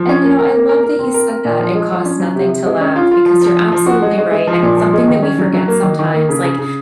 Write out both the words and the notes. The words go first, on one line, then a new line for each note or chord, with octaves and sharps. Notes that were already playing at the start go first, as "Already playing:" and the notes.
And you know, I love that you said that "It costs nothing to laugh," because you're absolutely right, and it's something that we forget sometimes. Like,
Already playing: F3
C#4
A#3
A#4
A#3
A#4
A#4
C4
A#4
A#4
A#2
F3
G#3
F3
C#4
F#3
C3
C3
G#3
C#4
F4
F4
F3
F3
F3
F3
F#4
G#3
G#3
G#3
F3
A#2
F3
G#3
D#3
C#4
F#3
F#3
A#3
D#3
D#3
A#3
C#3
C#3
C#3